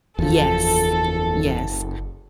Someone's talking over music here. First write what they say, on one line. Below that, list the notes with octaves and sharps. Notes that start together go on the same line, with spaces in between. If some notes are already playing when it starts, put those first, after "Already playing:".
Yes, yes.
F#1 E2 F3 A4